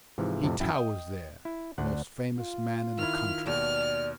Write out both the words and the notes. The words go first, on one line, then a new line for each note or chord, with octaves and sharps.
He towers there, the most famous man in the country.
G#2 C3 E3 F3
F2 A2 C3
F#2 E4 G5
D#5 G5
E4
D2 D4 F#5
F4
D#3 E4 F6
D#2 B2 D5 F6